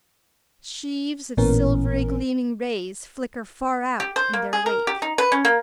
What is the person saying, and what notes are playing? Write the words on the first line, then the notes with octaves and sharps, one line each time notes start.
Sheaves of silvery-gleaming rays flicker far out in their wake.
A1 A#2 E3 B3 C#4 A#4
G4
C5
A#3
G#4
A#4
G4
D#4
B4
C#4
A#3